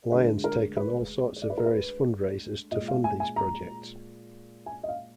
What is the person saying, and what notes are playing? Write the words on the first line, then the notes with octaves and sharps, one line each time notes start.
Lions take on all sorts of various fundraisers to fund these projects.
D2 D3 G#3 B4
A#4
B4
D5
B4
A#4
B4
A#2 G#3 D#5
F5
G#5
G#5
A#5
G#5
D#5
F5